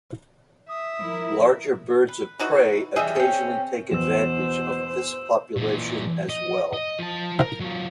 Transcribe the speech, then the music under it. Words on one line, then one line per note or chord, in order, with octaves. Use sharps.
Larger birds of prey occasionally take advantage of this population as well.
E5 D#6
F3 E4 A#4
B4
E3 D#4 F#4
E3 G3 G4 G#4 D#5 E5
C4 C#4
E2 B2 C5 E6 E7
A#2 E3
D#5
D#5
F3 A5
A#4
F#3 F4